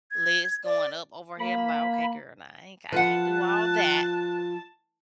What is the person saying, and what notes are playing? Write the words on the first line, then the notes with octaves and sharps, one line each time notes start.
Legs going up over here, I'm like, "Okay, girl, now I ain't I can't do all that,"
G#6
D5
A#3 B5
F3 B4 F#5 A5 F#6